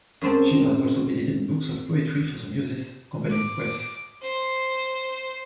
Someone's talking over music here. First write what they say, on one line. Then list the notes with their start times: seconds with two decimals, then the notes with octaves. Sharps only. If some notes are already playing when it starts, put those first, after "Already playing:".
She has also edited books of poetry for the Muses' Company Press.
0.21 F#2 G#3 C4 A5
3.31 D6
4.23 C5